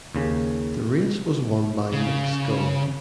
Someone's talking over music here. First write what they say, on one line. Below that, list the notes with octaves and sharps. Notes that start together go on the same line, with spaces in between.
The race was won by Knicks Go.
D#2 C#3
C#3